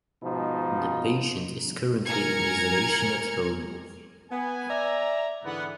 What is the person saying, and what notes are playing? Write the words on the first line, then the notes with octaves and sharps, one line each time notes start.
The patient is currently in isolation at home.
G#2 B2 F3 D#4
A#4 G#5 A#5 F6 G#6 C#7
B3 G#5
D5 E5 A#5
G#2 D3 E3 B3 F#5